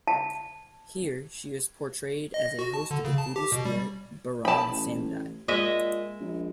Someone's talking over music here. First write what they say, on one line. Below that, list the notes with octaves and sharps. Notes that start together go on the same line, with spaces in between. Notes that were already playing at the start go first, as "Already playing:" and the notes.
Here, she is portrayed as a host of the Voodoo spirit Baron Samedi.
A5
D#5
A#6
F#4
A5
D3
C#3
A5
G4
B2
G3
A5 B5
A1
A#2 G#3 D#5 E5
A#1